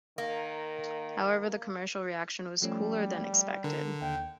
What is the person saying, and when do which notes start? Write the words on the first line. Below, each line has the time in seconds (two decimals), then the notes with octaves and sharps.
However, the commercial reaction was cooler than expected.
0.18 D#3 A#3
2.62 F3 G3 A3 C#4
3.64 D3 A#4
4.02 D#2 G5